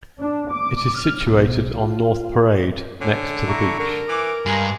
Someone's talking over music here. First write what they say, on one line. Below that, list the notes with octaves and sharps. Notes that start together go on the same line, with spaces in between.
It is situated on North Parade next to the beach.
D4
D6
F6
B1
F4
D3 C#4
E4 A4 A#5 C#6
D3 A#4
E3 D6
G2 G#3 G#5 A#5